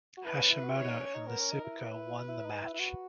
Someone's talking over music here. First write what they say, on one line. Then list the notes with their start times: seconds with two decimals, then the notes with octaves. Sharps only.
Hashimoto and Iizuka won the match.
0.17 F#4
0.25 E4 B4
0.38 C#4
0.50 E4
0.63 F#4
0.75 E4 C#5
0.89 D#4
1.01 C#4
1.14 D#4
1.26 B3 A#4
1.39 C#4
1.52 D#4
1.64 E4
1.78 B4
2.28 E4
2.45 D#4
2.63 E4
2.74 E4
2.79 F#4